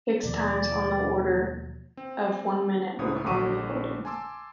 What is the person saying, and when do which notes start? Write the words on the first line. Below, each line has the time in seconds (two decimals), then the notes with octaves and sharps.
Fix times on the order of one minute were commonly quoted.
0.24 D#2 B2 F3 D5
1.97 C4
2.99 C#2 A2 C#5 D#6
3.26 A#1 D3 C#6 D6 D#7
4.05 G#5 A5 C6 D6 E6